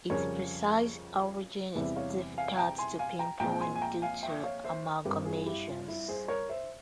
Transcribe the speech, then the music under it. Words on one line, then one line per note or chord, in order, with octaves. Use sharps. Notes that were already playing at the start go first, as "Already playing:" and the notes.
Its precise origin is difficult to pinpoint due to amalgamations.
F2 C#3 G3 C#4 A#4 C#5
E2 C3 E3 G3 C5 E5
C#5 F5
F5 G#5
G5 A#5
G#5 C6
F5 G#5
G5 A#5
A#1 A#2 G#3 C4 G5 A#5
G#5 C6
G#5
G5 A#5
F5 G#5
E5 G5
C#5 F5
C5 E5
G1 G2 G3 C4 G4 A#4
F4 G#4
E4 G4
F4
E4
G#4 C5
A#4 C#5
C5 E5